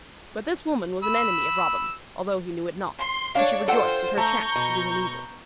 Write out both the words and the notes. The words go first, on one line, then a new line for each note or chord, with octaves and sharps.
But this woman was an enemy of Robin's, although he knew it not; and she rejoiced at her chance to do him evil.
B5 E6
C6
D4 C#5 F5
F4 A4 C5 F#5 G5
A3 A#5 C#6 G6
B2